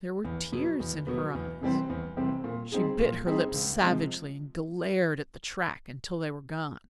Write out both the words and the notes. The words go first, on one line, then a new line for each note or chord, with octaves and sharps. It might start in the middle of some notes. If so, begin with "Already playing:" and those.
There were tears in her eyes--she bit her lips savagely and glared at the track until they were gone.
E2
B2 F#3 B3
E2
B2 F#3 B3
E2
C3 E3 G3 C4
E2
C3 E3 G3 C4
A#2
G3 C4 D#4 G#4
A#2
G3 C4 D#4 G#4
C#2
C3 F3 G#3